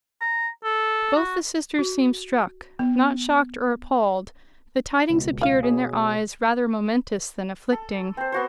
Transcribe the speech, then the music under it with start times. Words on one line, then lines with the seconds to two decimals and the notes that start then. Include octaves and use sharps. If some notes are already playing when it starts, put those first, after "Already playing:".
Both the sisters seemed struck: not shocked or appalled; the tidings appeared in their eyes rather momentous than afflicting.
0.21 A#5
0.64 A4
1.16 F#4
1.79 F#4
2.79 B3
5.10 C#2 B2
5.41 F4 F5
5.63 B2 G#4 C#5
7.72 A4
8.17 C4 C5
8.32 B3 F#4 C5